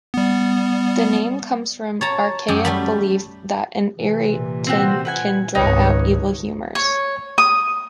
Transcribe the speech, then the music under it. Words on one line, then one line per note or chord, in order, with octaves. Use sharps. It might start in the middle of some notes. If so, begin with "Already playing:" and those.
The name comes from archaic belief that an irritant can "draw out" evil humors.
G3 B3
C#5 A5 A#5
F#2 G4
G3 A3 B5
C3 E3
A#2
C4 F#4 G4
B4 F#5 G#5
G#1 C#2 D#4 B4 C#5
C#5
D#6